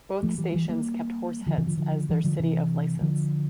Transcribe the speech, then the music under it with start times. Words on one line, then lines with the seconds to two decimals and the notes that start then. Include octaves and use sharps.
Both stations kept Horseheads as their city of license.
0.23 F3 A3
0.38 E3 G3
0.54 E3 G3
0.69 G3 A#3
1.46 D3 F3
1.58 C3 E3
1.67 D3 F3
1.77 D3 F3
2.09 E3 G3
2.24 D3 F3
2.39 C3 E3
3.01 D3 F3